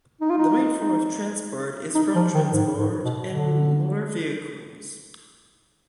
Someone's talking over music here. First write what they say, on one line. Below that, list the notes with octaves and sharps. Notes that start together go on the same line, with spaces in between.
The main form of transport is road transport and motor vehicles.
D#4
F4
D#4
D#4
F3
D#3
G#2
G#2
B2
D3